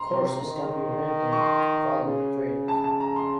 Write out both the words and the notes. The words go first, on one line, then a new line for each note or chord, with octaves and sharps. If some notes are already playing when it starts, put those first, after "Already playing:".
Horses can be rented to follow the trails.
Already playing: A#5 C6
C3
D#3
C#6
C6
C#3
A5
A5
A#5
C6